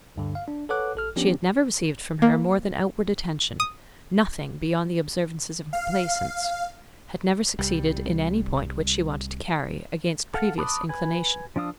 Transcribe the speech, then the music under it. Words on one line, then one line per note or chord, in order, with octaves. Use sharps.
She had never received from her more than outward attention, nothing beyond the observances of complaisance; had never succeeded in any point which she wanted to carry, against previous inclination.
D2 G2 D3
F5
D4
A4 B4 C#5 F#5 D6 F#6
A1 A4 F6
F3 B3 C#4 D4 G4
A#3
D#6
F5
C2 G3
A4 F5 F#5
A5 B5 D6 D#6 F#6
B4 G#5
F3 D4 F5 D#6 E6